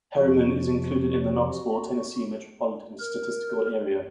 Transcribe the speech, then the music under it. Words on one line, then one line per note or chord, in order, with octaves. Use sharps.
Harriman is included in the Knoxville, Tennessee Metropolitan Statistical Area.
F2 C3 F3 F#4
A#4